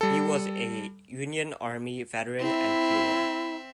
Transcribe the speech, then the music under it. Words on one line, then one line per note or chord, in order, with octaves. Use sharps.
He was a Union army veteran and hero.
G3 A4
C4 E4 E5